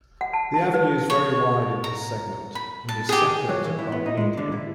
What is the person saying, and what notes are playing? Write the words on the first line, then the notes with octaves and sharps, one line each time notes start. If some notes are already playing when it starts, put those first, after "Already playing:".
The avenue is very wide in this segment, and is separated by a median.
F#5
A5
A5
B4
C#5
A#5
B5
A5
G4 G#4
F#3
E3
E4
B3
D#4
G#3
D3
E4